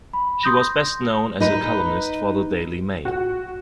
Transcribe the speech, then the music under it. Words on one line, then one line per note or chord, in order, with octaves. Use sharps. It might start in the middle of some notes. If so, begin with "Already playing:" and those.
She was best known as a columnist for the "Daily Mail".
B5
C6 D#6 G6 A#6
D#4 B4
F#4